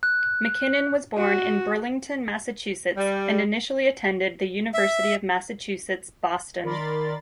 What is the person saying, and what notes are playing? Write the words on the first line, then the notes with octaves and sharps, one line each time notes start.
MacKinnon was born in Burlington, Massachusetts and initially attended the University of Massachusetts Boston.
F#6
F#4
G3
E5
D#3 A#4 D5 B5 C6 A6